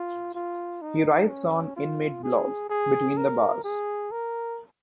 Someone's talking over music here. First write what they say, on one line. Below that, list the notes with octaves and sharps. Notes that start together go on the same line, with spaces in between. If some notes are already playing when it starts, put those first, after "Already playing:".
He writes on inmate blog "Between the Bars".
Already playing: F4
F4
D#4
C#4
F4
G#4
G#4
A#4
G#4
A#4